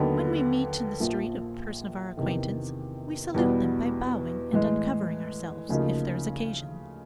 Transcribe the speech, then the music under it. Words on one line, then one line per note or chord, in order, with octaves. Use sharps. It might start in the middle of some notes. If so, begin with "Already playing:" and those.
When we meet, in the street, a person of our acquaintance, we salute them by bowing and uncovering ourselves, if there is occasion.
Already playing: D#2 D3 F#3 B3 D#4
A#1 A#2 F3
E2 C3 D#3
E2 B2 G3 B3
A2 E3 G#3
D2 C#3 F3 A#3 D#4